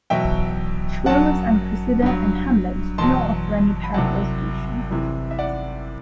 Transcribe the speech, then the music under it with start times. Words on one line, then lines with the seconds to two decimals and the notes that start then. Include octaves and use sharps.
"Troilus and Cressida" and "Hamlet" do not offer any apparent resolution.
0.10 E2 B2 F#3 E5 G5
1.06 F#2 F#3 F#5 A5
2.02 G2 F#3
2.98 E2 B2 F#3 A5 C6
3.84 B5
3.94 C2 C3 F#3 F#5 A5
4.91 C2 C3 E3
5.31 E5
5.39 D5 F#5